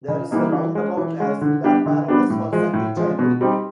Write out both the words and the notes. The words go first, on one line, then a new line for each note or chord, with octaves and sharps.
There is a roundabout as in the apparatus for second childhood.
C#3
E3 G3 A#3 D#4
E3
G#3 C#4
E3
G#3 C#4
D3
G3 B3 D4 G4
D3
G3 B3 D4 G4
A2
F3 G#3
A2
F3 G#3
B2
G3 C4 D#4 G4